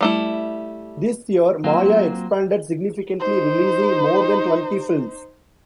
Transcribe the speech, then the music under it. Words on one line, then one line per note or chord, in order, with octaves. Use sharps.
This year, Maya expanded significantly releasing more than twenty films.
G3 A3 E4
F#3 A#3 C4 F4
D#4 C5